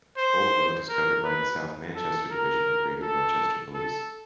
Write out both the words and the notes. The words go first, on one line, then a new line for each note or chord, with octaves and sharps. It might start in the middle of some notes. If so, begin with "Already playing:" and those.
Old Moat is covered by the South Manchester Division of Greater Manchester Police.
C5
A#4
B4
A4
A#4
A4
A4